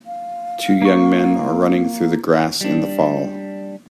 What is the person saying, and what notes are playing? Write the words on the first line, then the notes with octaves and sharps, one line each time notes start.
Two young men are running through the grass in the fall.
F5
A#3 C#6
G3 D4